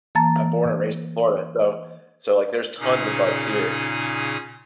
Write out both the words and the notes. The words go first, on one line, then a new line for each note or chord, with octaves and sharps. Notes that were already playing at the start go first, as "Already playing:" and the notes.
I'm born and raised in Florida, so so, like, there's tons of bugs here,
E3 A#3 A5 A#5 A6
A#2 C#3 C#4 D#4 G#4